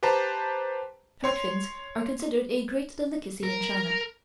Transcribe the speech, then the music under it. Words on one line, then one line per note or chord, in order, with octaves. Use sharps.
Shark fins are considered a great delicacy in China.
G4 B4 C5 A5 A#5
C#5 C6
A#4